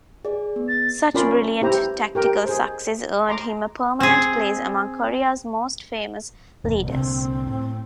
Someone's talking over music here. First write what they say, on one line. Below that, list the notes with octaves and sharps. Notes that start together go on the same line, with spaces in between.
Such brilliant tactical success earned him a permanent place among Korea's most famous leaders.
G#4 D5
B3
A6
C#4 F4 A#4 D5 B5 C6
E4 G4 C5 A#5
G4 A#4 G5
G#4 C5
A#5 C6 D6
C4 G#4
E1 B2
C2 A#2 D3 C4
A2